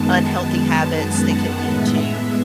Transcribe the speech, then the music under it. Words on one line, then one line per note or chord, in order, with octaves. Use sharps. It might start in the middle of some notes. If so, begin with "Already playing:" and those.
unhealthy habits, they can lead to,
Already playing: F#2 D#3 G#3 B3 A5
F#5
A2 G#3 B3 E5